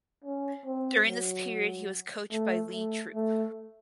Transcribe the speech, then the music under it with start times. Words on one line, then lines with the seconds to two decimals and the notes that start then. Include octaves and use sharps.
During this period he was coached by Lee Troop.
0.24 C#4
0.66 C4
1.07 F#3
2.32 A3
2.73 A3
3.15 A3